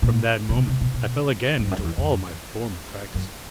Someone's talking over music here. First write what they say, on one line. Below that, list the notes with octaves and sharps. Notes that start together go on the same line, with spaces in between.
From that moment I fell again into all my former practices.
A#2
C#3
C3
C3
B2
B2
G2
F2
F#2
F2
E2
F2
F#2